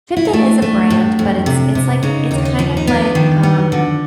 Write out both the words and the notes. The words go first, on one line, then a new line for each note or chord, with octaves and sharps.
Fitbit is a brand, but it's it's like it's kind of like, um,
E4
D#4
A3 D4
A3
A2
F2
C3
C3
C#3 D#4
D#2 D#4
D4
D#4
F3 D#4
D#4
B3 D4
D#3
B3
D3